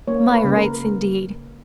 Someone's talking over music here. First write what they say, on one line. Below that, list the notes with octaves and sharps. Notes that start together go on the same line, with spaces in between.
"My rights, indeed!"
A#3 C#5
B4
C#3
A#4